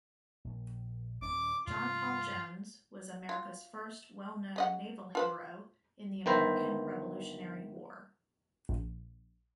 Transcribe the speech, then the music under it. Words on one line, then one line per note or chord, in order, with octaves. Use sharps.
John Paul Jones was America's first well-known naval hero in the American Revolutionary War.
A#1
D#1 C#4 D6
G2 C3 A3 F4
F4
C#3 D#5 F#5
F4 B4 C5
G1 D#3 B4 C5 E5 A#5
A#1